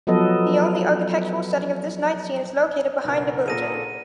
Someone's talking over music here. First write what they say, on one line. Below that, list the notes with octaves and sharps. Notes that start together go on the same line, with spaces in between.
The only architectural setting of this night scene is located behind the Virgin.
F3 F#3 B3 A4 B4 D#5
F#1 B1 B3 A#4
A#2 G#4 A4 A#6 D#7